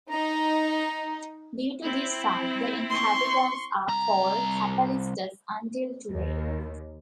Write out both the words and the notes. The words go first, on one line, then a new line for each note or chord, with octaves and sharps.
Due to this fact the inhabitants are called "capelistas" until today.
D#4 A#5
C4 E4
C6 C#6
C2 A#5
D#2